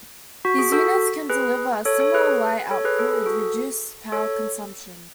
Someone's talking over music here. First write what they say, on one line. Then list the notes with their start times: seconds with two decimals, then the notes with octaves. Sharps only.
These units can deliver a similar light output with reduced power consumption.
0.45 F#4
0.58 G#4
0.72 F#4 A4
1.30 G#4 B4
1.85 A4 C#5
2.00 A4 C#5
2.14 G#4 B4
2.71 A4 C#5
2.84 G#4 B4
2.99 A4
3.13 G#4
3.26 F#4 A4
4.12 A4 C#5